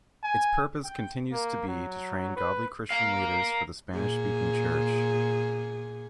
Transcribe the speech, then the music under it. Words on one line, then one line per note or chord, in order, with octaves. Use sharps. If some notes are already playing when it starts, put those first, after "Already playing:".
Its purpose continues to be to train godly Christian leaders for the Spanish-speaking church.
G#5
G5
A#3
F#3
B4
A#4 F5
A#2 G#4